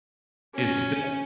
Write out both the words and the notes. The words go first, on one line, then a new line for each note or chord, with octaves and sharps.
is still
C#4